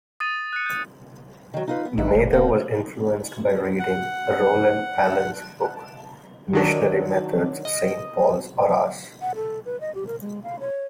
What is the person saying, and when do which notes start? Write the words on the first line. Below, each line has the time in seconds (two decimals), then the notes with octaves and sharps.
Mather was influenced by reading Roland Allen's book, Missionary Methods: Saint Paul's or Ours?
0.20 D#6 A6 D#7
0.53 F#6 C#7
0.66 G6
1.54 D#3 F#3
1.68 D#4 F4 B4
1.85 B3
1.98 A1 D#3 E5 F#5
2.15 G1 G2
2.33 D1 A#3
3.79 F#5
6.53 D#3 F#3 D4
7.65 D#5
9.21 F#5
9.35 A4
9.65 B4
9.81 D#5
9.95 G4
10.07 A#4
10.21 G#3
10.44 F5
10.60 C#5